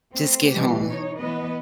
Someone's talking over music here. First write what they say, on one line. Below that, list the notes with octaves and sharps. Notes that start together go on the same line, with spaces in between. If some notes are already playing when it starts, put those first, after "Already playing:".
Just get home.
A3 C4
B2 E3 G3 G4
D#4 C#5
E3 B3 B4 D#5